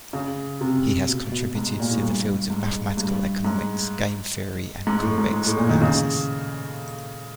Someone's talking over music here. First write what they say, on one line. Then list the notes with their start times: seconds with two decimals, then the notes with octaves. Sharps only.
He has contributed to the fields of mathematical economics, game theory, and convex analysis.
0.13 C#3
0.61 C3
1.08 B2
1.32 B2
1.55 G#2
1.80 A#2
1.91 A2
2.03 G2
2.50 G#2
2.97 G2
3.45 G#2
4.87 G#2
5.02 A2
5.18 G#2
5.33 G#2
5.46 A2
5.57 A#2
5.69 D#3
5.81 C#3